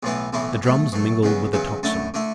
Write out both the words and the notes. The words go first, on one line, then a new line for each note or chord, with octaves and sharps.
The drums mingled with the tocsin.
B1 A2 E3 B3 E4
B1 A2 E3 B3 E4
B2 F#3 A3
B2 F#3 A3
E2 C#3 F#3 B3
E2 C#3 F#3 B3
F#2 D3 A3 E4
D3 A3 E4